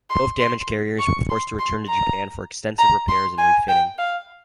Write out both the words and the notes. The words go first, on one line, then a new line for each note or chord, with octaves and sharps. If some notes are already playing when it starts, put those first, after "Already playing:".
Both damaged carriers were forced to return to Japan for extensive repairs and refitting.
C6
C6
C#6
C6
C6
A#5
A#5
C6
G#5
G5
F5